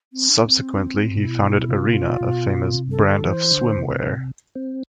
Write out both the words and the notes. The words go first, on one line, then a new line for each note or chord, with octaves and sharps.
Subsequently he founded Arena, a famous brand of swimwear.
C4
D4
C4
B2 E4
C3 F4
B2
B2
C3
A4
D3
A4
E3 C5
D3
C3
C3
C4